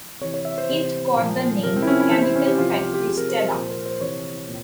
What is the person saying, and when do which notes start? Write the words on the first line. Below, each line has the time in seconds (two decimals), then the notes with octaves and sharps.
It got the name Chemical Factory Stella.
0.21 C3 E3 C#5
0.34 C#5
0.45 E5
0.58 C5
0.69 C3 E3
1.16 A#2
1.21 F3
1.63 C3 F3 A#4
1.76 C4
1.82 E4
1.87 C#4
2.00 E4
2.11 C3 E3 C5
2.23 E4
2.36 C#4
2.47 G4
2.58 C3 F3 F4
2.70 G4
2.82 F4
2.94 G4
3.06 F3 G#4
3.10 C3
3.17 A#4
3.29 C5
3.53 A#2 F3 C5
3.70 A#4
3.86 C5
4.01 C3 E3 C#5
4.48 A#2